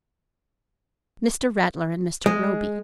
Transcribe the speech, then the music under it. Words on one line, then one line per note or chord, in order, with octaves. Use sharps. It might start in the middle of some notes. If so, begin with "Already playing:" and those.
"Mr. Rattler and Mr. Roby."
G#3